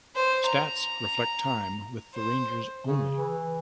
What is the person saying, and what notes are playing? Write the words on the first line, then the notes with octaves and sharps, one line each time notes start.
Stats reflect time with the Rangers only.
C5
A#5
C5
C#3
E3